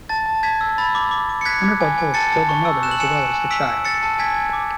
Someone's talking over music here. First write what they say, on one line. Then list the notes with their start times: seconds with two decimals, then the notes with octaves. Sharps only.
One of our bullets killed the mother as well as the child.
0.09 A5 A6
0.26 A5
0.43 A5 G#6 B6
0.61 E6
0.78 B5 A6
0.95 D6
1.11 D6
1.29 D6
1.41 C#7
1.45 F#6 G#6 B6
1.63 D6
1.81 G#5
1.98 G#5
2.14 A5 A6 C#7
2.32 A5
2.49 C#6
2.65 E6
2.83 F#6 E7
2.91 F#7
2.99 G#5 C#7 E7
3.17 G#5
3.33 G#5
3.50 E6 B6 D7
3.69 E6
3.85 E6 A6 C#7
4.03 A5
4.19 G#5 G#6 B6
4.36 G#5
4.53 D6